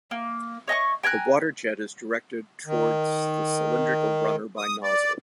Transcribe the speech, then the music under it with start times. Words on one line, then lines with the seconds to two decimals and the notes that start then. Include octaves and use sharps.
The water jet is directed towards the cylindrical runner by nozzle.
0.11 A#3
0.68 C#5 D#5 G#5 C#6
1.03 G5 G#5 A#5 F#6
2.66 D#3
4.58 D#6
4.83 D5